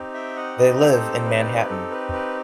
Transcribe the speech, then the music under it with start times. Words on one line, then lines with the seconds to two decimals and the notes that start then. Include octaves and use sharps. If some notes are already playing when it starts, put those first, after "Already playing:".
They live in Manhattan.
Already playing: C4 D#4 G4
0.14 E5 G5
0.36 D#5 F#5
0.58 B4 D#5
0.80 A4 C5
1.25 B4
1.69 A4
1.91 B4
2.13 B4